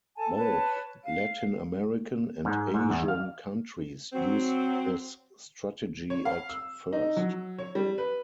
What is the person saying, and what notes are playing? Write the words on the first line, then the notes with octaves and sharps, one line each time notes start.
Both Latin American and Asian countries used this strategy at first.
A4 G#5 A5
B4 C#5 A5
F5
G#2
G#2
E2
F5
F#3 C4
C#5
F5
E6
D#4
F#3
C#5
G3
B4